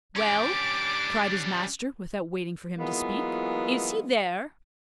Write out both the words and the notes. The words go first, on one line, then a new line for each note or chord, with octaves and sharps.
"Well!" cried his master, without waiting for him to speak, "is he there?"
G3 C#4 D4 D6
E3 F#3 G#3 A#3 B3 F4